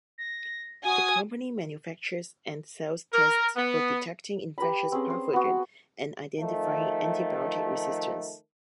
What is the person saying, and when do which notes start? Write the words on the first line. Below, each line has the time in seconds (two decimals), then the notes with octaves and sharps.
The company manufactures and sells tests for detecting infectious pathogens and identifying antibiotic resistance.
0.18 A#6
0.85 F#4 G#5 D#6
3.12 A#4
3.55 B3
4.58 G4 B4 A#5 B5
4.92 C4 C#4 G#4
5.10 C5
5.33 B3 F#4
6.40 D#3 F3 A3